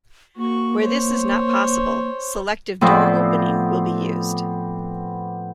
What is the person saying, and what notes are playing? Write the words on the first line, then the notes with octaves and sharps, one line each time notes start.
Where this is not possible, selective door opening will be used.
A#3 F#4 C#6
C5 C#5
A2 F3 B3 C4 D5